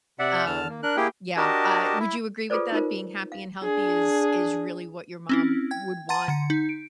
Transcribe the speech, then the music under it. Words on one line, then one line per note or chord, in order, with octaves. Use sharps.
Um, yeah, uh, would you agree with that, being happy and healthy is is really what your mom would want
C3 D5 E5 F#5
E2 D3 A5 F6
A#3
D4 A#4 F#6
A#3 E4 G4 G#4 G5
D4 F#4 G4 A#4 D#5 A5
E4
F4 G#4 A4 B4 C5 D5
D#4 F4 A#4 C5
F5
D4 G#4
C4 C#4 E4
G5 G#6
F#5 A5 A#5 C6 A6 D#7
D3 A#5 C#7
D#4
D7